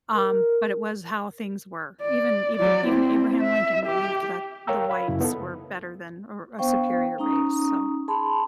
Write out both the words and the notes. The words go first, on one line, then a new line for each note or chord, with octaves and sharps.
Um, but it was how things were. Even eve even Abraham Lincoln believed that the whites were better than or a superior race, so.
A#4
D5
F#3 D5
C4 E4
E5
G4
A#4 C#5 F5 G5 A#5 E6
F5 B5
F#2 C#3 E4
B3 D#4 A4
B3 D4 C5 F5 G5 C#6
C#4 D#4 A#5 C#6 D#6
G#4 A5 B5 C6